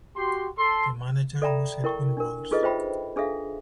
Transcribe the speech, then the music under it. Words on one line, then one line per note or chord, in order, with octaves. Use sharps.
The manager was Edwin Ralls.
F#4 G4 C6
A4 C6
A4 D5 E5 G5 A#5 B5
E4 A#4 G5 C#6
D4 A#4
D#4 F4 G#4 A4 B4 D#5
F4 C5 E5 G5 B5
D4 G#4 A4 E5 F5